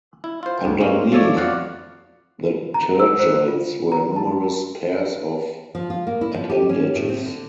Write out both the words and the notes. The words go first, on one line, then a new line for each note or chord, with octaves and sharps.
Underneath the tergites were numerous pairs of appendages.
E4
F4 C5
D2
G#3 A#3 C4 C#4
F3 A3 A4 C#5 D5
F2 F#4 D5 F5 F#5
A#5
E6
C5
F4
A#5
A5
F3
F4
A#3
E4
F3
G4
C#4
A2
C4
D3